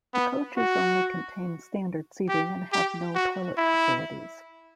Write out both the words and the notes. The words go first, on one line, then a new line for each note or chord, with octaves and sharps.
The coaches only contain standard seating and have no toilet facilities.
B3
F#4
G4
G4
F#4
E4